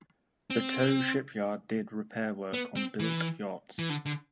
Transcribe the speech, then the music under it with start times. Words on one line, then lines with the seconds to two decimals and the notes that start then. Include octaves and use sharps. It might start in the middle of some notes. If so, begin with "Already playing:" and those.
The tow shipyard did repair work on built yachts.
0.50 C4
2.54 B3
2.77 C4
3.00 E3
3.79 E3
3.90 D3
4.06 D3